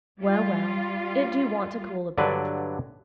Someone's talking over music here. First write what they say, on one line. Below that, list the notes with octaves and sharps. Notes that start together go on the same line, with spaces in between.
'Well, well; it do want to cool a bit.
G3 F4
G2 D3 F#3 D4 B4 D5